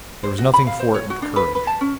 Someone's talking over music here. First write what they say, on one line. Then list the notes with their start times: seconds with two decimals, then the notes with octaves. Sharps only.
There was nothing for it but courage.
0.24 C5
0.38 F#4
0.54 B5
0.67 F5
0.79 C5
0.94 C#5
1.10 F#4
1.22 D4
1.36 B4
1.55 B4
1.67 A5
1.81 C#4